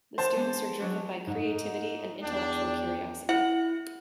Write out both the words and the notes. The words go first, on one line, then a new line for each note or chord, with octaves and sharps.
The students are driven by creativity and intellectual curiosity.
E3 C5 A5
G#3 B3 D4
F#3 D4
G#2 D#4
E2 D4 G5
E4 F#5